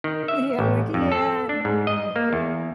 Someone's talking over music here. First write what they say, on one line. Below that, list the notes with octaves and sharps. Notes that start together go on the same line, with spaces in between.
Yeah, I'm like "Yeah, no,"
D#3
E5
A1
F2
A4
D4
G#2
D#5
A#3
E2